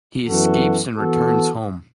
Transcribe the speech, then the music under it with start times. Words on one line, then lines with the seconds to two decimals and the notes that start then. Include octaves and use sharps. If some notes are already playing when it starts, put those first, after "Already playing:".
He escapes and returns home.
0.27 F#2 E3 B3 F#4 A4
0.96 E3 B3 F#4 A4